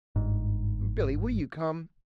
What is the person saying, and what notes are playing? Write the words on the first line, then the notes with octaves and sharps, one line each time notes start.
Billy, will you come?
G1 G#2